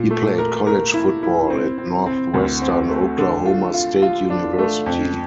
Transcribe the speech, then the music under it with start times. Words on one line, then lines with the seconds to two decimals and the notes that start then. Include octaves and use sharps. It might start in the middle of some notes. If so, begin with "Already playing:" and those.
He played college football at Northwestern Oklahoma State University.
Already playing: A#2
0.11 A3
0.38 A#4
0.67 A#4
0.94 E4
1.23 E4
1.50 C4
1.78 C4
2.06 C4
2.34 D2
2.62 C4
2.90 A3
3.18 D3
3.46 F4
3.74 F4
4.02 F4
4.30 D4
4.58 A3
4.86 F2